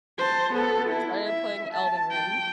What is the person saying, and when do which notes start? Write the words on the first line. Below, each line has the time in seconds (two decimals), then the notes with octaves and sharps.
Started playing Elden Ring,
0.18 C5 A5
0.53 B3 A4
0.89 E4
1.27 E5
1.73 A5
2.11 G5